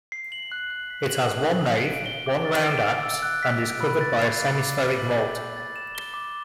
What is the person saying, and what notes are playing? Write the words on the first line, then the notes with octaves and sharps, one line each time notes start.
It has one nave, one round apse, and is covered by a semi-spheric vault.
C7
F#7
F#6
F#6
B6
F#7
F#6
F#6
G6
D7
G7
D6
A6
D7
E6
E6
F#6
B6
D7
B5
A6
C7
D6
D6
C7
F#7
G6
G6
A6
E7
G7
D6